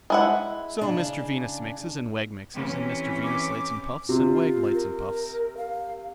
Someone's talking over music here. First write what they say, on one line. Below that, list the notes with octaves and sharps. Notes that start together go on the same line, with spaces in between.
So, Mr Venus mixes, and Wegg mixes; and Mr Venus lights and puffs, and Wegg lights and puffs.
G#3 E4 F#5
C#3 D4
C3 E3 C#4
D6
C3 F4
A#4
F5